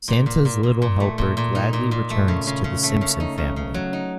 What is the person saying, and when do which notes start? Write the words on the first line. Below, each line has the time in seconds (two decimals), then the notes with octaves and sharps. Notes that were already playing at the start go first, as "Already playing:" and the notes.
Santa's Little Helper gladly returns to the Simpson family.
0.08 A#2
0.26 A#2
0.45 A#2
0.63 A#2
0.82 A#2
1.00 A3
1.18 A#2
1.37 A#2
1.55 D#4
1.73 A#2
1.91 A#2
2.10 A3
2.28 C#3
2.47 C#3
2.64 C#3
2.83 A3
3.01 C#3
3.20 D#4
3.38 C#3
3.56 C#3
3.74 F#3
3.93 D#4